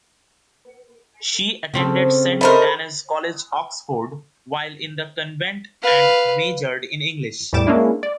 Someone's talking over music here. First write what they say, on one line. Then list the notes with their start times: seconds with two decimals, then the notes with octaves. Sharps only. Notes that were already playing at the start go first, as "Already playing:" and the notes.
She attended Saint Anne's College, Oxford, while in the convent and majored in English.
1.74 C#3 C4 A4
2.41 D3 A3 D#4 A#4 C5 B5
5.83 B4 F5
7.53 E2 A2 G3 D6 E7
7.67 G#3 A#3 C#4 D4 E4
8.03 D5